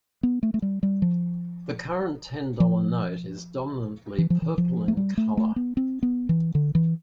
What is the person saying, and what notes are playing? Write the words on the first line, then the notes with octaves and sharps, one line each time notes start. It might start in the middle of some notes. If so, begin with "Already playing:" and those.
The current ten-dollar note is dominantly purple in colour.
B3
A3
A3
G3
G3
F3
F3
E3
F3
E3
F3
A3
G3
A3
A3
B3
C4
B3
E3
D3
E3